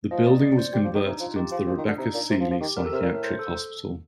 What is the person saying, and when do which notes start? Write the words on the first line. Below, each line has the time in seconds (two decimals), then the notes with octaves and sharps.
The building was converted into the Rebecca Sealy Psychiatric Hospital.
0.11 F3 D#5
0.26 D5
0.42 D5
0.58 C5
0.73 G3 G4
0.84 F3
0.94 D#3 D4
1.05 C3
1.09 D#4
1.20 F3
1.23 F4
1.36 D#3 G4
1.52 F3 F4
1.67 F3 D4
1.77 D#3
1.88 D3 D4
1.98 C3 D#4
2.14 A#2
2.30 C3
2.40 F3
2.51 F3
2.61 D#3 G4
2.76 D3 A#4
2.86 A4
2.92 C3
2.96 A#4
3.02 A#2
3.13 A2
3.24 C5
3.39 A4